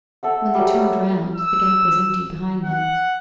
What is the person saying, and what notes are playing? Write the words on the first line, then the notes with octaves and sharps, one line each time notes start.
When they turned round The Gap was empty behind them.
A4 E5 F#5
F#3 G3
E6
F#5